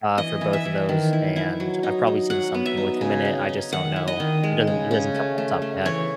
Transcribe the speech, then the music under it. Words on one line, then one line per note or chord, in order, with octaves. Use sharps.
uh, for both of those, and I've probably seen something with him in it. I just don't know. It doesn't, it doesn't come off the top of my head.
E3 D#5
E3
E5
E3
D#3
E4
E4
F#3
D#4
D#4
F#3 F#5
B3
E5
D#4
C#3
D#4
D#4
D#3 F#5
E4
D#5
D#3
G#3
C#3
C#3
A3
A3
A3
E3 C#5